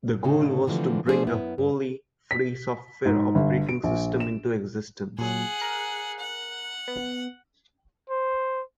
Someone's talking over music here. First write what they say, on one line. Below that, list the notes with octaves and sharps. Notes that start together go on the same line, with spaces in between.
The goal was to bring a wholly free software operating system into existence.
A2 C#3 D#4
D3 E3 F3 A3 C4
F3 A3 D4 F4 G#4 C5
F#2 B3 E4
G2
B6
G#2
G1
D7
A#1
E7
A#2 F#3 G#4 F#5
A#4 F#6
F#5
B3
C5